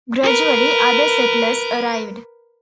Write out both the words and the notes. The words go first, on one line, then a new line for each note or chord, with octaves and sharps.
Gradually other settlers arrived.
A#4 B4